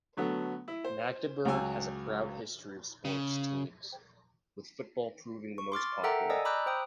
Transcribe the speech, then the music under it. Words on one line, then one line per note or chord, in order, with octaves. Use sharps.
Magdeburg has a proud history of sports teams, with football proving the most popular.
D3 F#3 A3 B3
E4
C5
C#2 F#3 G5 G#5 E6
C#3
C#6
C6 D6 F6 A6
A4 A#4 E5 F#5 G5 A#5
D5 D#5 G#5 D#6 E6
A#5 B5 D6 E6 F#6 G6
C5 G5 D#6